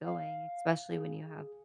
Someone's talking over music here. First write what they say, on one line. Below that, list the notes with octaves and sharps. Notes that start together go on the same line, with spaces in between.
going, especially when you have
F5
G#4